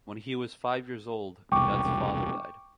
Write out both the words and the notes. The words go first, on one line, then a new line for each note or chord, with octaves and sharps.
When he was five years old, Dutt's father died.
E1 C2 G5 C#6 D6